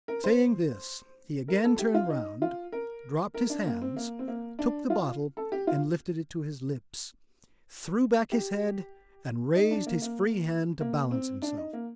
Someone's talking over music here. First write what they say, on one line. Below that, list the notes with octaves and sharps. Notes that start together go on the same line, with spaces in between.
Saying this he again turned round, dropped his hands, took the bottle and lifted it to his lips, threw back his head, and raised his free hand to balance himself.
A#4
C5
A#4
A4
G4
F4
D#4
F4
A#4
A#4
D4
A#3
C4
A#3
C4
A#3
D4
F4
A4
G4
F4
G4
D#4
D4
A#3
A#3
A#3
C4
D4
D#4
A#3